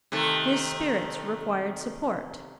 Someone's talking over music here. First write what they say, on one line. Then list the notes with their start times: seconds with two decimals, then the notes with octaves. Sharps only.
His spirits required support.
0.12 C3 D#3 A3